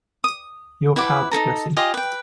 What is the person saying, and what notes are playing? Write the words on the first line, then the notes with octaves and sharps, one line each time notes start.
Your cab, Gussie.
D#6
E4 B4 F#5 D6
D#4 E4 A4 A#5
F4 G4 D#5 G#5
B4 G5